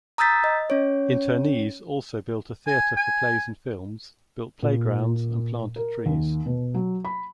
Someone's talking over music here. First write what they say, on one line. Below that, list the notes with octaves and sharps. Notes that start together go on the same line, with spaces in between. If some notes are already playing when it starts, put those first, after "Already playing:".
Internees also built a theater for plays and films, built playgrounds, and planted trees.
A#5 D#6 E6 G6 A6 B6
D#5
C#4 C#5
G#5
G#5
A#2
A#4
D#2
B2
F#3
B5